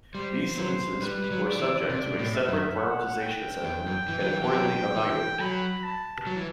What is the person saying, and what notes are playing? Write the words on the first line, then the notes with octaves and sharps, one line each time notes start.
These substances were subject to a separate prioritization assessment and accordingly evaluated.
G3 C5
F#3 C5
G3 B4
G3
F#3
D5
E3
C3 D5
A2
E5
F#2
F#5
G5
E2
F#2
E3
F#3
E3
E3
F#3
E3
F#3 B5
A5
F#3
E3